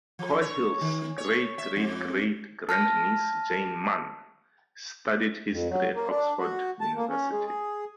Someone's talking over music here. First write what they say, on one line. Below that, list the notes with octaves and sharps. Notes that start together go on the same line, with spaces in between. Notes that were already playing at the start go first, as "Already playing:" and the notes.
Coghill's great-great-great grand-niece, Jane Mann studied History at Oxford University.
F3
C#5
D#3
C#5
E5
F2
A5 F6 A#6
F2
F#3
A#3
D4
F#4
A5
A#3
C#4
G#3
G#4